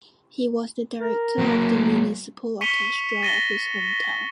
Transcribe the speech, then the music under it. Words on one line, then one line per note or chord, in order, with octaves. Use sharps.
He was the director of the municipal orchestra of his home town.
A#4
F#3 A#3
C#6 B6 C#7 D#7 F7 G7
A6 A#6 D#7 G7